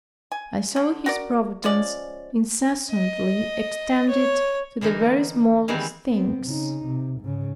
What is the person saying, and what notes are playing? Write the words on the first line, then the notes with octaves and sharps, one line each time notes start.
I saw his providence incessantly extended to the very smallest things.
G#5
D3
F#4 A#4 D5
F3 G#3 C#4 D5
D#5
C#5
D3 E3 A#3 D#4
D#3 E3 G3 G#3 B3 C4
B3 C4
C#3 D#4
C3
G#2 C#3